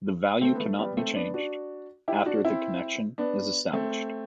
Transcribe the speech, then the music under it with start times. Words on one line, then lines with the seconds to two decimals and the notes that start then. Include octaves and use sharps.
The value cannot be changed after the connection is established.
0.41 A3 C4
0.55 B3
0.60 A3
0.79 G3 B3
0.97 A3 C4
1.16 B3 D4
1.34 D4 F#4
2.08 E4 G4
2.26 D4 F#4
2.45 C4 E4
3.18 B3 D4
3.73 A3 C4